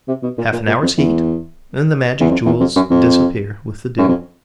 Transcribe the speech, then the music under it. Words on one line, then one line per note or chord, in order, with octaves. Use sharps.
Half an hour's heat; and the magic jewels disappear with the dew.
C3
B2
A#2
A#2
A#2
F2
E2
E2
F2
E2
F2
F#2
F2
F#2
F2